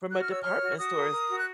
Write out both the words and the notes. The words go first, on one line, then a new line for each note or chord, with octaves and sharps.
from a department stores,
F#4 F#6
F6
C#5 E6
C#5 F6
F#4
F#4 D#6
A#4
A#4
F#4
F#6